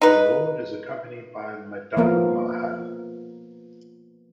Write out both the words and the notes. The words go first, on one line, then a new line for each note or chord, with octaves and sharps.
The Lord is accompanied by Madanmohan.
D#4 B4
F3 A#3 B3 A#4